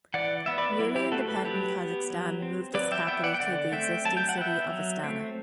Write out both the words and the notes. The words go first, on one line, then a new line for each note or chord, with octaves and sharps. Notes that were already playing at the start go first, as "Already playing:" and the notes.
Newly-independent Kazakhstan moved its capital to the existing city of Astana.
E3 D5 F#5
B3 E5
B4 D5
F#3 E4
E4 G4
A3 C4 F#4 A4
B4
A4
F#3 G4 B4
B3
F#3
C4
F#3 B4 D5
E5 G5
B3 E5 G5
D5 F#5
G5
D3 D5 F#5
A3 C4 E5 G5
F#3 A5
G5
F#5
B3 E5 G5
F#3
A3 C4